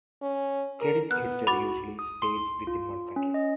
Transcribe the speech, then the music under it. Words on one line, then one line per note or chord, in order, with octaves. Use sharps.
Credit history usually stays within one country.
C#4
A#4
B3 F6 F#6
F#4 B5 D6 A6
D#6
C6
F4
C#4
D#5